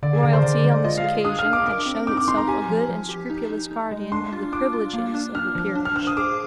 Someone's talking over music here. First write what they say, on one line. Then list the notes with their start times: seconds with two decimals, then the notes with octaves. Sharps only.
Royalty on this occasion had shown itself a good and scrupulous guardian of the privileges of the peerage.
0.03 D3 D5
0.13 G#4
0.23 D3 A#4
0.33 C5
0.43 D3 D5
0.64 G#3
0.84 F4 D#5
0.98 F5
1.04 G#4
1.25 D4 D#6
1.39 F6
1.45 D4
1.53 D6
1.66 A#4 D6
1.86 C4
2.07 D#4 D6
2.17 D6
2.28 D#4 C6
2.37 A#5
2.48 G4 G#5
2.69 F3
2.89 F3
3.09 G4
3.30 D#4
3.50 D#4
3.71 D#4
3.91 G#3
4.12 D4 C6
4.33 F4
4.52 D4 D6
4.73 F4
4.93 A#3
5.14 D4
5.35 D4 F6
5.55 F3
5.75 D4
5.85 F6
5.96 C5 F6
6.07 D#6
6.17 G#4 D6